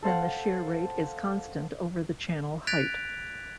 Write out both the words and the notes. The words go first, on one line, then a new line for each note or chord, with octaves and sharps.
Then the shear rate is constant over the channel height.
A4 C5 F5 F#5
F#6 G#6 A6 B6 D7 F7